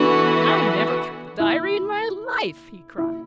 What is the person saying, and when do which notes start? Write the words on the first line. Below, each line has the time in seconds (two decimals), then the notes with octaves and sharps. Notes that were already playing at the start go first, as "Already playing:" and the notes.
"And I never kept a diary in my life!" he cried.
Already playing: E3 B3 D4 F#4 A4
1.40 E4
2.98 E4